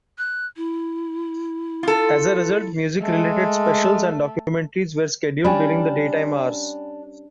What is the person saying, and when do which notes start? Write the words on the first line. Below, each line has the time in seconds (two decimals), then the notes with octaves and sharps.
As a result, music-related specials and documentaries were scheduled during the daytime hours.
0.18 F#6
0.57 E4
1.83 F4 A4
3.01 G#3 A3
5.45 G3 C#4 D4 G5 G#5 B5